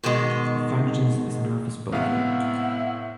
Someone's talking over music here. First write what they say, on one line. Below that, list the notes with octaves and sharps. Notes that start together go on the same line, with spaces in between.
It functions as an office building.
G#2 B2 D#3 G#3
A2 C3 G#3 B3 E4 F5 F#5